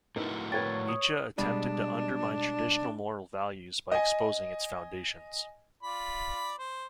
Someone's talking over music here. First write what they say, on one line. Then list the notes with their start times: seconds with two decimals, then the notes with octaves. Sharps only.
Nietzsche attempted to undermine traditional moral values by exposing its foundations.
0.16 A2 B3 D#4 E4 F#4 A#4
0.52 A#4 B4 C#5 G5 G#6 A6
0.89 D#6
1.38 B2 G3 G#3 D4
3.92 D#5 G#5
5.83 F4 D5 B5
6.59 C5